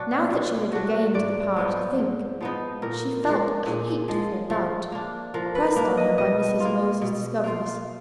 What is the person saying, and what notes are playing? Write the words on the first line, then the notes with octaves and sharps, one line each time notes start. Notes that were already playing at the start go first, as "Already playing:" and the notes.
Now that she had regained the power to think, she felt a hateful doubt pressed on her by Mrs. Mosey's disclosures.
Already playing: B2 F#3 D4 F#4 D5
B2
F#3 D4 F#4
G#2 D5
F3 B3 D#4
G#2
F3 B3 D#4
A#2 A#4
F3 G#3
A#2 G#4
F3 G#3
F3
A#3 D4
F3 A#4
B4
A#3 D4
D#5
B2 D#5
A#3 F4
B2
A#3 F4